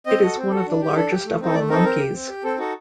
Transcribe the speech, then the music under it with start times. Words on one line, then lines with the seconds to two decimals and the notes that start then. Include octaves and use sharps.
It is one of the largest of all monkeys.
0.06 C4 D#5
0.22 F#4 A4
0.37 C4
0.51 F#4 A4
0.67 D4
0.81 G4
0.95 D4 A4
1.11 G4
1.25 A3
1.40 C4 D#4 A4
1.54 A3 D5
1.69 C4 D#4 A4 A#4
1.84 C4 A#4
1.99 G4
2.14 C4
2.29 G4
2.44 C4 A4
2.58 D#4 F#4 A4